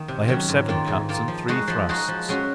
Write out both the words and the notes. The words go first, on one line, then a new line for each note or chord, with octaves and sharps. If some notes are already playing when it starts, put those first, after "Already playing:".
They have seven cuts and three thrusts.
Already playing: D#3 A#3
C3
D#3 F#3 C#4
G#2
D#3 A#3 F4
G#2
D#3 A#3 F4
F3
G#3 D#4 F#4
F3
G#3 D#4 F#4
F3
G#3 C#4 F#4